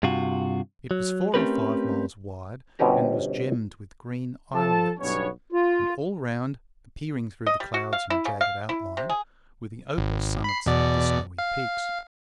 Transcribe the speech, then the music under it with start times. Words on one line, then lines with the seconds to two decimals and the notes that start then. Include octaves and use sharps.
It was four or five miles wide, and was gemmed with green islets; and all round, appearing through the clouds in jagged outline, were the opal summits of the snowy peaks.
0.03 G2 C3 F4 F#4
0.91 F#3
1.34 A3 C4 C#4 G4 A#4 B4
2.79 G1 B2 C4 C#4 G4 A#5
4.55 F3 A4 A5
4.99 B1 G2 B3 C#4 C#5
5.52 F4
7.47 D#5
7.60 G3
7.74 F#4
7.93 F5
8.10 E4
8.25 C#3
8.41 F5
8.69 E4
8.97 C3
9.09 G#4
9.97 G#1
10.44 B5 C7
10.66 E2 B2 D5
11.38 F5